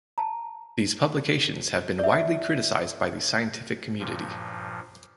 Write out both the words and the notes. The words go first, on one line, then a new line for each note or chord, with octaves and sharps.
These publications have been widely criticised by the scientific community.
A5 A#5
D5 E5
G2 A#2 F3